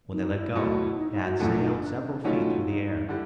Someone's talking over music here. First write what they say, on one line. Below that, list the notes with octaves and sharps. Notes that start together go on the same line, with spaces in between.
When they let go, Tad sailed several feet through the air.
D#4
E4
B2 F#3 A3 E4
D#4
D#4
F#4
G1 F#2 D3 F3 A3 E4
D4
D#4
D#4
D4
C#4
D4
B2 F#3 A3 C#4 D#4 F4
D3 G3 E4